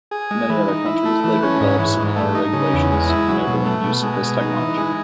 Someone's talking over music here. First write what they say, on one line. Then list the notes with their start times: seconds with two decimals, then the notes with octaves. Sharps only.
Many other countries later developed similar regulations, enabling use of this technology.
0.11 G#4
0.31 G#3
0.49 E3
0.68 D#4
0.86 E4
1.05 A3
1.24 E3
1.43 C#4
1.60 G#2
1.79 E3
1.98 G#2
2.16 A3
2.35 D#4
2.53 C#3
2.73 E2
2.92 G#3
3.09 E4
3.28 F#3
3.47 B2
3.66 A3
3.84 B2
4.03 G#3
4.22 B2
4.40 D#4
4.59 E3
4.77 G#3